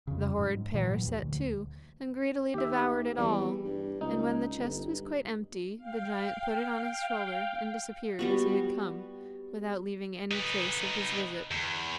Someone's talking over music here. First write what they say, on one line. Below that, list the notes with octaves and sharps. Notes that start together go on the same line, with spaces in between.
The horrid pair set to and greedily devoured it all, and when the chest was quite empty the giant put it on his shoulder and disappeared as he had come, without leaving any trace of his visit.
F2 C#3
G#2
A#2 E3 F#3
D#2
D2
D#2 G4 E5
E2 G3
G2
C#2 D#4
G1
G2
F5 G5
G3 B3 F#4
D#4 B4
E2